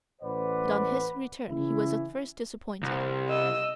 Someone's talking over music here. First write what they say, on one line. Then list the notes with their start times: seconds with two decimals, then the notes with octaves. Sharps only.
But on his return he was at first disappointed.
0.21 A1 B4 C5 D5 F#5
1.49 C#3 E3 E4
2.83 C2
3.29 D#5 E6